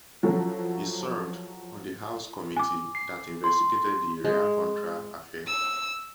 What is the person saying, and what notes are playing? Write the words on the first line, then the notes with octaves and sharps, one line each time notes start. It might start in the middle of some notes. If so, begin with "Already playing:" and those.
He served on the House committee that investigated the Iran-Contra Affair.
F3 F#3 E4 F#4 A4
G#5 D6
C7
C6
G#3
E6